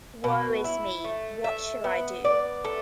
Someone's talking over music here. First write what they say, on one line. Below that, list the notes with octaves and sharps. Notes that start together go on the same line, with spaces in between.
Woe is me, what shall I do?
B2
E4
A3
E5
B3
D5
A3